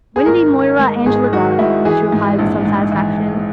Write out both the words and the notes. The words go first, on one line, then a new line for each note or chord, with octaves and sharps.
"Wendy Moira Angela Darling," she replied with some satisfaction.
G#4
G#1 A#4
D#3
G#2
G#1 G#4
D#3 F#4
G#2 E4
E3 G#4
G#2
A#1
G#2
E3